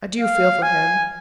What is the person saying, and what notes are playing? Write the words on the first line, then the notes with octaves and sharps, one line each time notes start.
I do feel for him.
F5
G#5